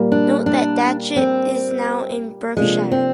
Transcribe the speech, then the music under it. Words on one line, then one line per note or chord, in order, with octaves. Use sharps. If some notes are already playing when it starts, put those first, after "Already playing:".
Note that Datchet is now in Berkshire.
Already playing: A#2 G3 A#3
D4
D4
C4
C3 F3 G#3 A#3 D4
C4